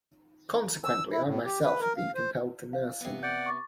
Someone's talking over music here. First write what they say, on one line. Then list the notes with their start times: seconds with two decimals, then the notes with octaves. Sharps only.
Consequently I myself have been compelled to nurse him.
0.84 E6
1.12 E4
1.25 A2
1.45 G4
1.63 B4
1.81 A#4
1.97 F5
2.15 C5
2.73 F5
3.01 C3 B3
3.23 D5 F#5 G6
3.46 C#6 D6 A6